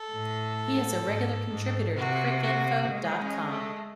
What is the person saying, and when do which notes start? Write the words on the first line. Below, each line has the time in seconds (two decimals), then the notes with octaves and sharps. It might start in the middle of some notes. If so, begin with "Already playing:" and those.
He is a regular contributor to Cricinfo dot com.
Already playing: A4
0.11 A2
1.04 G#2
1.50 G#2
1.96 C3 F#4
2.42 F#4
2.89 G#3
3.19 C#4
3.50 A3